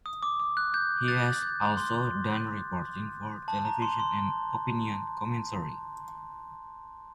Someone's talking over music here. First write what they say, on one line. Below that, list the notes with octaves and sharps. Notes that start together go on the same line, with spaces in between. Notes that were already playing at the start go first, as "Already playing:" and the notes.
He has also done reporting for television and opinion commentary.
D#6
D6
D6
F#6
G6
F#6 A6
G6
C6
A5
A#5
C6
C6